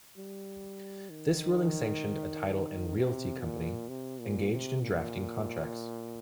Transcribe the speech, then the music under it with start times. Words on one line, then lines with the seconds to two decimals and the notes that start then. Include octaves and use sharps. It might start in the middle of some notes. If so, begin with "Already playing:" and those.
This ruling sanctioned a title and realty company engaged in drafting contracts.
0.17 G3
1.10 D#3
2.96 C3
3.43 A#2
3.89 C3
4.20 A#2
4.52 C3
4.82 A#2